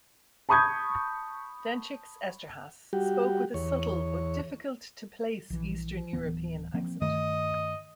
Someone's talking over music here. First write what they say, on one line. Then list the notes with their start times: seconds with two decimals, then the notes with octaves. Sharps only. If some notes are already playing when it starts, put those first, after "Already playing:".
Dencik's Esterhase spoke with a subtle but difficult-to-place Eastern European accent.
0.49 A5 B5 C#6 D#6 G6 G#6
2.93 G3 F#4 G4
3.54 E2 C#5
5.50 A#1 E3
6.13 D1 E3 B3
6.74 F3 A#3 C4
7.02 G2 D#3 A3 D#5